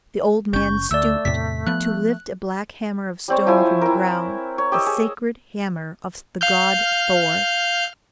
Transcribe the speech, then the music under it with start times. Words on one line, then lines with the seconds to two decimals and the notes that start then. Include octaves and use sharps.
The old man stooped to lift a black hammer of stone from the ground,--the sacred hammer of the god Thor.
0.53 F#1 C#4 C#6 G6
0.91 D2 A3 D5 E6
1.25 E2 A2 C3 B6
1.67 F3 B3 F#6
3.28 G3 C4 C#5
3.47 F3 E4 G#5
3.81 E4 A#4
4.58 C#5
4.72 G4 D#5 E6
4.86 G#4
6.41 F5 F6 G6